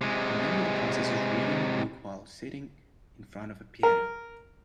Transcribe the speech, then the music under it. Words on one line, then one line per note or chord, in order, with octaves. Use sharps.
A man with glasses is reading a book while sitting in front of a piano.
C3 G#3
A#4